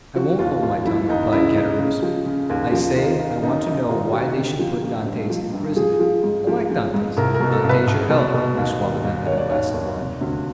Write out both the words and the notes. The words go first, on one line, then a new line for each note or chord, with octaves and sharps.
"I won't hold my tongue!" replied Caderousse; "I say I want to know why they should put Dantes in prison; I like Dantes; Dantes, your health!" and he swallowed another glass of wine.
F3 F#4
D#2 F4
D#2 F4
F3 E4
D#2 D#4
C#3 E4
C#3 D#4
C#3
F3
C#3
D#2
F3
D#3 F4
D#3
F#2 D#4
F#2 D#4
D#3 F4
D#3 F#4
D3 G4
F3
F3
G2
F3
G2
F3 G#4
F3
G#2
F3
F3
G#2
C2 A#4
A#4
B2
A4
C2
B4
C2
B2
B2
D#2
D#3
D#2
D#3 C#5
D5
D#2 C#5
D#2
C3
D2